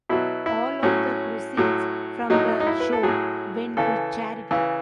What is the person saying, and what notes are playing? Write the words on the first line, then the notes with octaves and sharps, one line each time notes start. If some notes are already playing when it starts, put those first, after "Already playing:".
All of the proceeds from the show went to charity.
B2 F#3 E4
E4
A2 F#3 C#4
A2 F#3
A2 F#3 D#4
D#4
E4
B4
A4
A2 F#3 G#4
C#3 E3 A4
C#3 E3